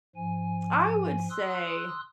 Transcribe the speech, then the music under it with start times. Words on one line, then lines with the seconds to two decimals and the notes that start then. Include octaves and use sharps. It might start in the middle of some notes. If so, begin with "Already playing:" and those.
I would say,
0.16 G#2 F3 G#5
1.30 C6 D#6 E6 F#6